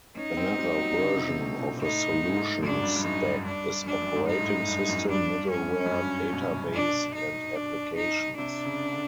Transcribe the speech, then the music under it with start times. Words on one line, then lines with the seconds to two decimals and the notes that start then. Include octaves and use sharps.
Another version of a solution stack is operating system, middleware, database, and applications.
0.17 C#4 D#4
0.37 C4
0.59 G3
0.78 F#3
0.94 D3
0.99 C#3
1.19 C3
1.41 B2
1.60 A#2
1.82 A2 D#4
2.09 G#2
2.25 A2
2.36 G#2
2.63 F#2 D4
2.83 G2
2.96 G2
3.04 F#2 D#4
3.25 G2
3.45 G2 D4
3.86 F#2 D4
3.94 G2
4.02 F#2
4.16 G#2
4.27 G2 D#4
4.38 A2
4.47 G#2
4.68 G2
4.88 F#2
5.09 G2 D4
5.50 C#4
5.86 F#2
5.92 G2
6.32 B2
6.42 C3
6.50 B2
6.73 D4
7.15 D#4
7.55 D4
7.97 D#4
8.37 C3 D4
8.65 C#3
8.92 D3